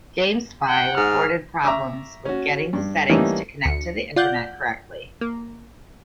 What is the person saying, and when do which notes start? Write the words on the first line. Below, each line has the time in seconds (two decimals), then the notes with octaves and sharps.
Gamespy reported problems with getting the settings to connect to the Internet correctly.
0.68 F#5 G5
0.97 G#2 F6
1.64 E5 A#5 C#6 D6 E6
2.25 C#4 F#4
2.73 G2
3.10 E3 G3 A3 A#3 C#4 D#4
3.63 D2 C#7
4.16 F4 D5 F#5 G6
5.21 A#3